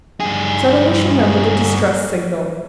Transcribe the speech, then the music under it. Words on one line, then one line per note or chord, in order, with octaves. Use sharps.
Suddenly she remembered the distress signal.
G2 G#4